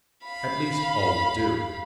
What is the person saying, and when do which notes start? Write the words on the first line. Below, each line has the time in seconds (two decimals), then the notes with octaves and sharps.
At least all will do.
0.25 F5 B5